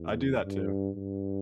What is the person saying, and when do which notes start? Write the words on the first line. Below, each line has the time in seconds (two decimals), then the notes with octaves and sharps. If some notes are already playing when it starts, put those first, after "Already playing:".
I do that too.
Already playing: E2
0.44 G2
0.95 G2